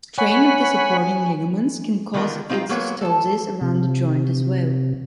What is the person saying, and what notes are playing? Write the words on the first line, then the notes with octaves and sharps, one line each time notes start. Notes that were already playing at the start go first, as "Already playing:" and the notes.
Strain of the supporting ligaments can cause exostosis around the joint as well.
C#5 F#5 G#5 B5
D3 D#3 B3 F4 A#4
C4 D#4 F4 G4 F5 G5
F#3 G#3 A#3 B3 C#5
A4 A5
C3